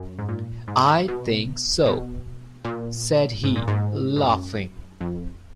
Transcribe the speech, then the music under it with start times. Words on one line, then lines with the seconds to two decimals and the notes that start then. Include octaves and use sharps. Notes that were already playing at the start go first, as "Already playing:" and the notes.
"I think so," said he, laughing.
Already playing: F#2
0.19 G#2
0.29 A#2
0.68 G#2
1.08 B2
1.86 B2
2.65 A#2
3.44 G#2
3.56 A#2
3.68 G#2
4.16 G#2
4.22 F#2
5.01 F2